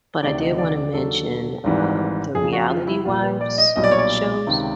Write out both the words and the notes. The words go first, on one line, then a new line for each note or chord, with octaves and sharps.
but I did wanna mention, um, the Reality Wives Shows?
D2 C3 D#3 D5
D#5
D5
D5
D#2 D3 F#3 A4
G#1 G#2 E3 G3
F2 C#3 F3 G#4
F#4
F4
E4
A#1 A#2 G3 F4
B4
D5
D#5
B1 A#2 G3 D#5
D5
C#5
D5
C#2 C3 D#3